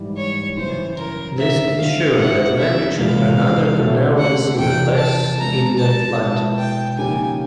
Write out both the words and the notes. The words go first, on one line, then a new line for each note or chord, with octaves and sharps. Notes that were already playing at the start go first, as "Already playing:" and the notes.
This ensured that language in Grenada could never be seen unless in that light.
Already playing: G#2 E3 G3
C#5
F#2 C#3 E3 C5
A#4
A#2 F#3 A3 C4 E5
F5
A3 C#4 E4 G#4 F#5
E5
E2 C3 E3 G#3 F5
A3 C#4 F#4 A4
F#5
E2 C3 E3 G5
A5
F3 G#3 C4 A#5
A5
B2 G#3 B3 E4
G5
C#3 F3 A#3 D#4 G4 G#5